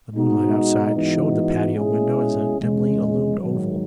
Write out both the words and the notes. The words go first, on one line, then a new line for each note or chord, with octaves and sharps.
The moonlight outside showed the patio window as a dimly illumined oval.
B2 G#3 D#4 F#4
G#2 E3 B3 D#4 F#4
B2 G#3 C#4 E4 G#4
E2 C#3 G#3 C#4
G#2 D#3 F#3